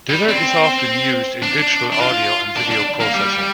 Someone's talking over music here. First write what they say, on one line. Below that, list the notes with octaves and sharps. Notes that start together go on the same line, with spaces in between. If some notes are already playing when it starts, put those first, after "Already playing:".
Dither is often used in digital audio and video processing.
G3
C4
D4
D4
F4
D4
D4
A#3
G3